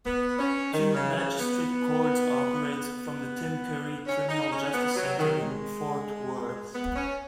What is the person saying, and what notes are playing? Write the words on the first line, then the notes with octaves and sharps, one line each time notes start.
Two Magistrate Courts operate from the Tim Curry Criminal Justice Center in Fort Worth.
B3
C#4
D#3
C#3
C#3
B3
B3
C#4
D#4
C#4
B3
F#3
D#3
G#3
B3
C#4